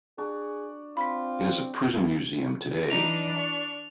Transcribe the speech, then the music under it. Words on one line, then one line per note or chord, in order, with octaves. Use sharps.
It is a prison museum today.
D4 F#4 G#4
C4 F4 B5 C6 B6
E3 D4 D#4 F7
C#6